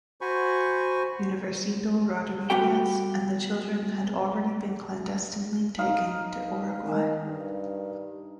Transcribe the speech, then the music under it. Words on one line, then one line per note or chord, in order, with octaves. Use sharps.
Universindo Rodriguez and the children had already been clandestinely taken to Uruguay.
F#4 C5 G#5 B5 C#6
G3 B3 F#4 G4 G5
D#4 F5 D#6
D#3
G2